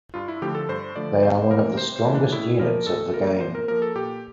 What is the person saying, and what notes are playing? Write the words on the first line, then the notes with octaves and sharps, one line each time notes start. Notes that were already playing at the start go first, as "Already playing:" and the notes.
They are one of the strongest units of the game.
G2 F4
E4
D3 F3 A3 G4
A4
G2 C5
D3 F3 A3 D5
C3 C5
E3 A#3 A#4
C3 C5
C5
E3 A#3
D4
A2 E4
F3 A#3 A#4
A2 A4
F3 A#3 A#4
A#2 C5
A#4
F3 A#3 A#4
A4
A#2 G4